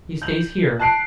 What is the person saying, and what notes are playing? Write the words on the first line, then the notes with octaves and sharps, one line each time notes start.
He stays here.
G6 F#7
A5 F#6 C7 D7